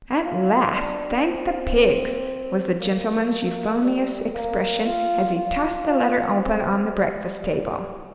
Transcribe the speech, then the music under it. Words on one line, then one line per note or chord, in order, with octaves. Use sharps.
"At last, thank the pigs!" was the gentleman's euphonious expression, as he tossed the letter, open, on the breakfast-table.
F4
D4
C4
A#3
G3
A#3
F4
F4
F4
C4
G3
G3